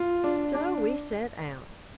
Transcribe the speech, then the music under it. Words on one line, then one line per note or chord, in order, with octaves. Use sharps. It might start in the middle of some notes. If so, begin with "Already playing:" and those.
So we set out.
Already playing: F4
D4
D4